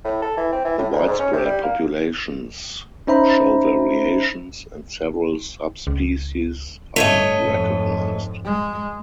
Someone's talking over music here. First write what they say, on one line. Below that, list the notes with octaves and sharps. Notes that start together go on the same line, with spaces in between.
The widespread populations show variations and several subspecies are recognized.
A2
A4
E3
C4
E3
A2
D2
G#2
C#4
C3
G3
A#3
C#4 D#4 C5 E5 A#5 B5
C#2
G1 A2 A3 C#5 D#5
F2 G#2
G#3